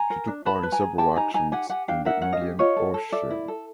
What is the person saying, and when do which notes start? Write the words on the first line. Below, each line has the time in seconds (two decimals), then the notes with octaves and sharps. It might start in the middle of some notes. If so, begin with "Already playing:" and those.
She took part in several actions in the Indian Ocean.
Already playing: G#5 A#5
0.10 A#4
0.28 D4
0.45 B4 A5 B5
0.63 B4
0.72 G#5 A#5
0.82 G#4
0.98 G4 G5 A5
1.16 D#4 G#5 A#5
1.34 D#4 G#5 A#5
1.52 G4 F#5 G#5
1.70 G4 F#5 G#5
1.88 D4 F5 G5
2.05 A#4 E5 F#5
2.22 C#4 F#5
2.33 D#5 F5
2.41 G4
2.59 F4 C#5 D#5
2.77 A4
2.94 A4
3.12 A4 D5 E5
3.30 E4
3.48 A4